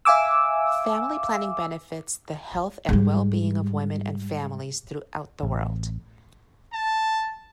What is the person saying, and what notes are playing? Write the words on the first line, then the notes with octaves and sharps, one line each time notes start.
Family planning benefits the health and well-being of women and families throughout the world.
E5 F5 G#5 D6 E6
G#2 G3
A1
A5